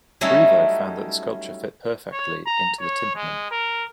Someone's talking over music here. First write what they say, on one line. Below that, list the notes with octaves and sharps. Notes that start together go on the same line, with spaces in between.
Grivot found that the sculpture fit perfectly into the tympanum.
F#3 G3 A3 C#4 D#4 E4
C#5
A#5
C#5
G#3
A#4